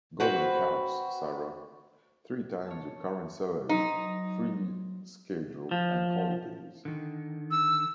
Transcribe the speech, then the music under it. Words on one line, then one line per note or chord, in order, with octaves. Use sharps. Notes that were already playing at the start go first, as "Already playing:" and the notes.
Golden cuffs, Sara. Three times your current salary, free schedule and holidays.
C4 F#4 B4
C#5 A5
F#3 D#4 C5 B6
F3
D3 D#3
E6